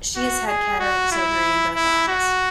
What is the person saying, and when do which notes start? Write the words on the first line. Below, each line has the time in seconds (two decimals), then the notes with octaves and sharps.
She has had cataract surgery in both eyes.
0.16 F#4
0.47 G#4
0.80 F#4
1.12 E4
1.76 E4
2.08 F#4